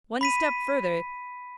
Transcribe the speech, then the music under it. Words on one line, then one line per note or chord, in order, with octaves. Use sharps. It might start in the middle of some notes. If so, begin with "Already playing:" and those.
'One step further....
B5 B6 D#7